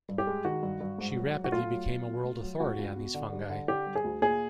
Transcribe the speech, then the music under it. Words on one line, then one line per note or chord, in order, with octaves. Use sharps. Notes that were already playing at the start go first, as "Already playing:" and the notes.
She rapidly became a world authority on these fungi.
G2
G4
G#3
D#3 F#4
G2
G2
G#2
F#3
F#3
F#4
A3 F4
F#3
F#3
B2
A3
F#3
C#2 F#4
C#2
B2
D3
G3
D3
D3 G4
G3
G#4
D2
A#2 G#4